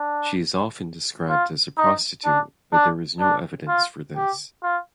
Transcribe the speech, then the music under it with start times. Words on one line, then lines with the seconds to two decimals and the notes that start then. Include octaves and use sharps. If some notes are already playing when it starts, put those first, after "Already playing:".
She is often described as a prostitute, but there is no evidence for this.
Already playing: D4
1.30 F4
1.77 D#4
2.25 D4
2.73 D4
3.20 D4
3.68 F4
4.16 G4
4.63 F4